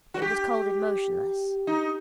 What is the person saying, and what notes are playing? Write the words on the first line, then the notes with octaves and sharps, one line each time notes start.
It was cold and motionless.
F#4
G4
D#4